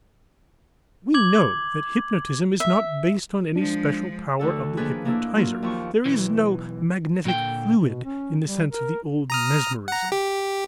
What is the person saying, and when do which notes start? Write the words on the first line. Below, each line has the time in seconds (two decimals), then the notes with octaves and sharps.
We know that hypnotism is not based on any special power of the hypnotizer; there is no magnetic fluid in the sense of the old mesmerism.
1.14 D6 G#6 F#7
2.60 E5
3.56 F3 G#3 D4
4.39 D2 D3 A4
4.77 D#3 F3 A#3 D4 G#4 B4
5.05 A2 A#3 D4 E4
5.34 F#3 A#3 F4
5.62 D#2 F3 C#6
6.06 B1 E3
7.25 A#2 D3 G5
7.87 B2
8.05 C#4
8.45 G3
8.71 A#4
9.30 A#5 D#6 F6
9.88 F#5 A#5
10.12 G4